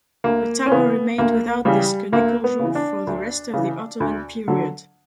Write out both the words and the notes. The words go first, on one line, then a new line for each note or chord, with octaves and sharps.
The tower remained without this conical roof for the rest of the Ottoman period.
D2 A#3
C#4
C#3 E3 B3
D2 A#3
C#3 E3 G3
D2 A#3
B3
C#3 E3
D4
D2
C#3 E3
D2
D3 F#3